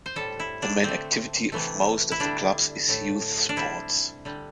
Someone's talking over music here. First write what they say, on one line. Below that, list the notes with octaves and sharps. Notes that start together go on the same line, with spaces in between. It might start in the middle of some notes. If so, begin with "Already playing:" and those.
The main activity of most of the clubs is youth sports.
C5
A2 G3 A4
E4
D4
D3 A3 C4
C3 E3 A3
E4
D3 G3 D4
A2 A3
D4
C3 G3 E4
D3 G3